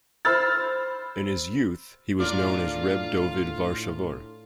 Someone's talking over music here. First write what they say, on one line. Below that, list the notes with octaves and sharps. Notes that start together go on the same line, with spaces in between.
In his youth, he was known as "Reb Dovid Warshawer".
C5 B5 E6 F6 A6
A2 D4 F4 A#4 D5 F5